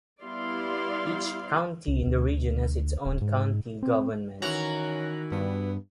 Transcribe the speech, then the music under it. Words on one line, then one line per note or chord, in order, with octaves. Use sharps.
Each county in the region has its own county government.
G3 B3 E4 D5 F5 C6
C#2
D2
D1
G#2
C4
D#3 E3 C#4 F#4 A#5 F#6
G2 B3